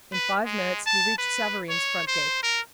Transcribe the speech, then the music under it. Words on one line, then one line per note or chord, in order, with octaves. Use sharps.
In five minutes he reached Savareen's front gate.
B4
G#3
A5
B4
C#5
C5
A#4